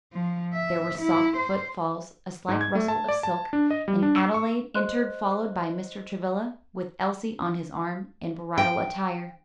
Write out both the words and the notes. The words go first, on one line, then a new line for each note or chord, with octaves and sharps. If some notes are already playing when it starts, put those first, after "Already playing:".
There were soft foot-falls, a slight rustle of silk, and Adelaide entered followed by Mr. Travilla with Elsie on his arm, in bridal attire.
F3
E5
E4
C5
G#2
G#6
A3
A5
D5
A5
D4
D#5
G3
D4
E6
C#6
C5 D#5 C6 F#6
G5